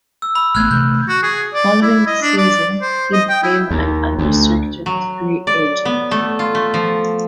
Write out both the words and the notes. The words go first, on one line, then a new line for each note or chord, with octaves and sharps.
Following the season, he became an unrestricted free agent.
E6
B5 E6
A1 A3 B3 F6 F#6 G#6
C3 E3 A3 G6
F#4
G#4
D5
E4
D#5
D4
D5
C5
D#5
G5
E4
D#2
D2
F#3
D5
B3
A3
F4
A3
F3